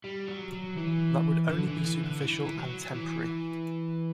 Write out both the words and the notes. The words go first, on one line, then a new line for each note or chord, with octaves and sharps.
That would only be superficial and temporary.
G3
F#3
F#3
E3
D3
E3
E3
D3
E3
E3
F#3
E3